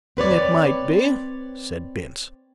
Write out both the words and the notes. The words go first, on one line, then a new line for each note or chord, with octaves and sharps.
"It might be," said Bince.
C4 B4 C#5 D5